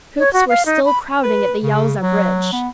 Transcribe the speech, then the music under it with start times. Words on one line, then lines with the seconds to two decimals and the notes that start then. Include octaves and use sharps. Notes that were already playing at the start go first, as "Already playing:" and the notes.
Troops were still crowding at the Yauza bridge.
0.19 C#5
0.33 F#4
0.49 F5
0.66 D#4
0.85 B5
1.23 B4
1.63 C#3
2.02 F#3
2.52 B3